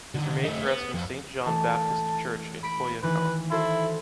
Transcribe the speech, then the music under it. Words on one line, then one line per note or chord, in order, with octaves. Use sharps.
His remains rest in St John Baptist Church in Coyoacán.
D3 D#3
A3 D#4
B3
F2
E3 A3 A5
B5 B6 D7
D#3 E3 B4
E4 F#4 A4 C5